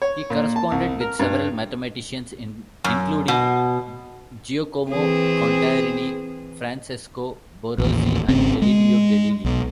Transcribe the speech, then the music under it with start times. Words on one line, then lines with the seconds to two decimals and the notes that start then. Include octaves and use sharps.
He corresponded with several mathematicians including Giacomo Contarini, Francesco Barozzi and Galileo Galilei.
0.02 C#5
0.30 A#2
0.56 A5
0.72 C2
1.01 A#4
1.19 G2
2.84 F#2
3.28 B2
4.90 E3 C4 G#4
7.78 A1 D#2
8.28 G#1 C#3 C4
8.62 G#3
9.44 B1